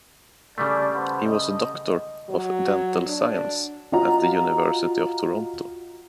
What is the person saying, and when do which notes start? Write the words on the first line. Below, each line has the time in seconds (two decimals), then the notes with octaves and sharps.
He was a doctor of dental science at the University of Toronto.
0.58 C#3 G3 A3 D4 A4 D5
0.94 B3 C5 A5
1.26 D#5
2.29 F#3
3.08 D4
3.92 F4 F#4 D#5 A#5